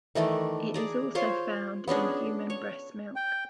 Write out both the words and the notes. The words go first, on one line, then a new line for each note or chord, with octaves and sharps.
It is also found in human breast milk.
D#3 E3 A3 D5
G#4 D5 A#5
F4 C5 C#5 F5
B3 C#4 D4 G#4
C#5
G5